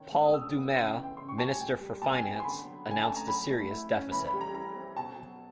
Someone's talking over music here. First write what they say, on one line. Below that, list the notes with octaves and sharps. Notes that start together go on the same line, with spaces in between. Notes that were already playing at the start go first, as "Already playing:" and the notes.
Paul Doumer, minister for finance, announced a serious deficit.
Already playing: D#3 C#4
G#3
D#6
D4 E6
B3
C#3 C6
G5
E3
G5
C#3 C6
C#6
G3 A5
G#5
A#2 G5
G3
A#2 A5
G#5
B3 G5
G#5
C6
D3 B5
F#3
D3 G#5
A3 A5
A#5
F#3 B5
A3
E4
C#4
E3 B5
B5
G3
A#5
E4 A#5
C4
B2 A5
F#3